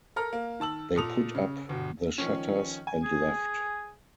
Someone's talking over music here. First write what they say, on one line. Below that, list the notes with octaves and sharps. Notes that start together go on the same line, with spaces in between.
They put up the shutters, and left.
A4 A#4 A#5 F6
A#3
D#3 A5 E6 F#7
A#2 A4 D#6 F7
C#3
G1 B2
D#3 F3 C#4
G#5
G#4